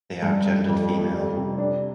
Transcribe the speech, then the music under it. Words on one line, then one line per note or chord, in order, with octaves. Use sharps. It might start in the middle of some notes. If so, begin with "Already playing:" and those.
They are gendered female.
G2
G2
F2
F2
G3
C3
D4